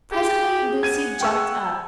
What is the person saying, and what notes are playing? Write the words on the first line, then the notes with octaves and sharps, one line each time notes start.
Presently Lucy jumped up.
G4 G#4
F#5 G#6 D#7
G5 C#6 E6